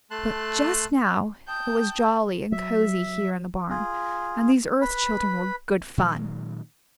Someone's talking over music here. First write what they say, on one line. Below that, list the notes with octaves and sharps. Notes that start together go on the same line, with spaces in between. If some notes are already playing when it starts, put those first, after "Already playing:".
But just now it was jolly and cozy here in the barn, and these Earth Children were good fun.
A3 A5 C6 F#6
G5 A5 D#6 G6
F#3 E5
F4 G#4
B4 B5
A#2 D#3 F#3 G#3